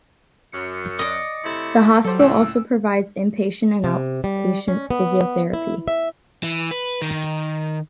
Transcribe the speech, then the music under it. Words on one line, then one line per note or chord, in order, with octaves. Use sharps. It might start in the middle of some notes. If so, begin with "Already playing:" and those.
The hospital also provides inpatient and outpatient physiotherapy.
F#2 C#7
D5 D#5
C3 A3 E4
F#3 G3 A4 C5
C#2 A2 E6
C3
G3
C#4
B3
E4
E5
E3
B4
D#3